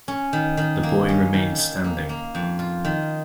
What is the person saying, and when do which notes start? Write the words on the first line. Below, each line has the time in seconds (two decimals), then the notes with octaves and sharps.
The boy remains standing.
0.08 C#4
0.33 D#3
0.57 D#3
0.83 A#3
1.09 C#4
1.33 D#3
1.58 D#3
1.84 A#3
2.09 A#3
2.35 F2
2.59 F4
2.85 D#3